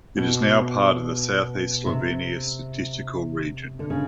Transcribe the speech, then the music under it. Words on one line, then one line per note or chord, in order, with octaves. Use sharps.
It is now part of the Southeast Slovenia Statistical Region.
B2
C3
D3
C#3